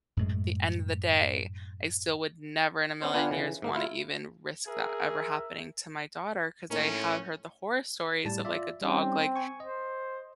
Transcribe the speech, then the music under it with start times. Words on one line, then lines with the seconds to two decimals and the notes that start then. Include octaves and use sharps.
the end of the day, I still would never in a million years wanna even risk that ever happening to my daughter, 'cause I have heard the horror stories of, like, a dog, like,
0.17 F#2 A2 G#3
3.02 B3 C#4 C5
3.14 B3 D4 F4 B4 G5 G#5
3.31 C#3 E3
3.62 G#2 A#3
3.76 E4 F4
4.66 G#4 A#4 E5
6.71 A2 A#3 C#4 D#4 A#4
8.25 A2 G3 A5
8.45 F4 D5 E5
8.82 G3 C4 C#4 D#4
9.36 G#5 C#6
9.60 C5 D#5